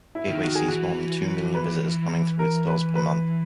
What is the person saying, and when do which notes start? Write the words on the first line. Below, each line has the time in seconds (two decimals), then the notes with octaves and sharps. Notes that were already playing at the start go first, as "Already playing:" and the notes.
Gateway sees more than two million visitors coming through its doors per month.
0.15 E4
0.29 D#3
0.43 F#4
0.55 G#4
0.68 E3 F#4
1.55 B4
2.39 A#4
2.68 B4
2.96 B4